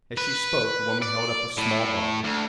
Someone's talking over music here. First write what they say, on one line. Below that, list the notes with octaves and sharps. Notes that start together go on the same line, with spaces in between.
As she spoke the woman held up a small bottle.
B4
D5
A2
D2